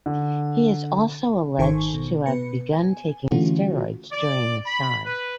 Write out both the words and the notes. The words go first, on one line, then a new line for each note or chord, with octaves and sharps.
He is also alleged to have begun taking steroids during this time.
D3
G#1 D#3 A4 C5 G#5 C#6
B2
B2 B3 B4 C#7
G#5
D3 E3 A3 C#4 F4 F#4
D5
B5
B4